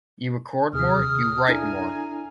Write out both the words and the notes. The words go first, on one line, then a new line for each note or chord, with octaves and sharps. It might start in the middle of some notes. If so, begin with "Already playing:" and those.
You record more, you write more.
D#2 C3 G#4 D#6 F6
D4 E4 A4 G#5 A#5